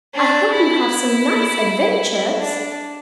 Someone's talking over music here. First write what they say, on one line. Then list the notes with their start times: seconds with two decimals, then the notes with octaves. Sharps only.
"I hope you have some nice adventures!"
0.14 D4
0.52 E4
2.39 D4